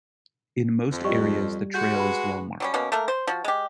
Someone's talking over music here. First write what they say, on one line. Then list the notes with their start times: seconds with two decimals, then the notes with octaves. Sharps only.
In most areas the trail is well marked.
0.92 F2
1.04 G3 F4 D#5 C#6
1.74 G#3 F#4 G6
1.95 B4 B5
2.60 F#3 G3 C#4
2.74 B2 A#3 C#4
2.92 A3 A#3 A#4
3.08 C5
3.27 F3 F#4
3.44 G#3 G4